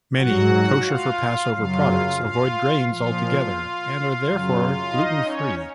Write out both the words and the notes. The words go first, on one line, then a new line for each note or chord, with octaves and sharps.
Many kosher-for-Passover products avoid grains altogether and are therefore gluten-free.
G#2 F#3 F#4 F#5
F4 F5
F#2 C#3 F#3 F4 F5
F4 F5
A#2 F3 F4 F5
F#2 C#3 F#3
D#4 D#5
C#4 C#5